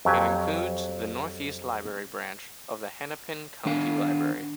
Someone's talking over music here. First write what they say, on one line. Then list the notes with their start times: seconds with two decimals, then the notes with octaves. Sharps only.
It includes the Northeast Library branch of the Hennepin County Library.
0.05 F2 F#3 G4 G#5
3.66 D#3 D4 F5